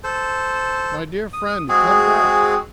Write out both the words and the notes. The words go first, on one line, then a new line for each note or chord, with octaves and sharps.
My dear friend, come back!
A4 C5
D#6
G#3 C4 F#4 G#4